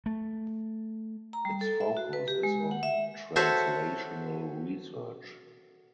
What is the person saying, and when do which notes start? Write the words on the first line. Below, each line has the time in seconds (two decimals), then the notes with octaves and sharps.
Its focus is on translational research.
0.06 A3
1.33 A#5
1.45 G3
1.61 A4
1.81 E5
1.97 F#4
2.13 B4
2.28 G4
2.43 G#3
2.71 F#5
2.83 E5
3.36 F#4 A4 C5 C#5 E5